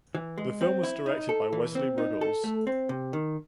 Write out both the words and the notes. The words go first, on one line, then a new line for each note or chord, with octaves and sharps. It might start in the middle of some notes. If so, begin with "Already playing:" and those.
The film was directed by Wesley Ruggles.
E3
G#3
C4
E4
D#4
A4
E3
C4
D#4
A4
A3
C4
C3
D#3